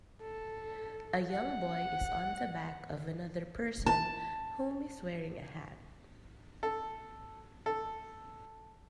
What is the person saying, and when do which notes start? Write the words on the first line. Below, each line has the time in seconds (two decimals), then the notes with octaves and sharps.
A young boy is on the back of another person whom is wearing a hat.
0.23 A4
1.31 F#5
3.86 A5
6.63 A4
7.66 A4